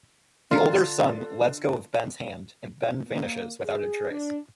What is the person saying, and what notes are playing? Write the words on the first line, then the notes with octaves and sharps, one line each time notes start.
The older son lets go of Ben's hand and Ben vanishes without a trace.
D3 F4 D5 A#5
A#3
G#4
D4